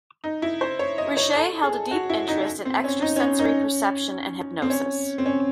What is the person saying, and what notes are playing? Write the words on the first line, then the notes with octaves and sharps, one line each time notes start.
Richet held a deep interest in extrasensory perception and hypnosis.
D#4
E4
C5
C#5
D#5
C#5
A4
G#4
F#4
E4
D#4
C4
C#4
D#4
C#4
D#4
C#4
C4
C#4
C4
C#4